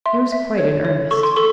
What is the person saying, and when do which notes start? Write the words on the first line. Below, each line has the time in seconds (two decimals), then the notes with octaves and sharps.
"He was quite in earnest."
0.06 E5 C6
0.32 E5
0.58 C#5
0.85 C#5
1.11 A4 C#6
1.23 C6
1.36 A4 C#6